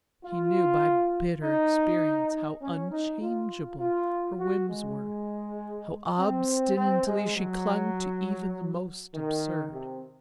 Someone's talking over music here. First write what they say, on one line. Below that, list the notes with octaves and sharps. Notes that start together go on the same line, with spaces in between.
He knew by bitter experience how unchangeable her whims were, how obstinately she clung to even the most absurd.
F4
D#4
C#4
D#4
F4
F4
F#4
G#3
C4
C4
G#3
F#3
D#3
C3